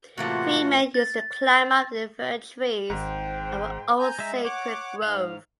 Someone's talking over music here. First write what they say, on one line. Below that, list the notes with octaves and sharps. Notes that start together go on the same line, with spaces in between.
Three men used to climb up the fir-trees of an old sacred grove.
A2 C3 E3 A3 A#3 F4 F#4 F#5
A6
G#1 G#2 C5 G5
G#5 A#5 G6
G#3 E5
C#5 F#5 D6
G#2 F5